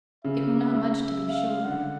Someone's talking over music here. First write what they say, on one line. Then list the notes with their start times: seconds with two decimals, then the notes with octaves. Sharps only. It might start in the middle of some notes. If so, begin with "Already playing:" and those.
It were not much to be sure.
0.25 C#3 E5
0.94 E5
1.29 F5
1.64 D3 F#5